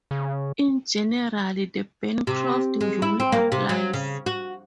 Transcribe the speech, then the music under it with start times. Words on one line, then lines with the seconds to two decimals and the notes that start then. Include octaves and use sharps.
In general, the Bancroft rule applies.
0.11 C#3
2.27 C3
2.81 G#3
3.02 E4
3.20 C4
3.32 A#3
3.52 C3
3.69 F#3
3.93 C#3
4.26 F#4